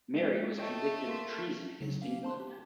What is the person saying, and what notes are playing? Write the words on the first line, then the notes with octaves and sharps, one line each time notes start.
Mary was convicted of treason against England.
G#3
A3 C#5 D#5 G5
A#3 C6 B6
C#3 F#3
A#3 C#4 F5
C5 A5 C6
G4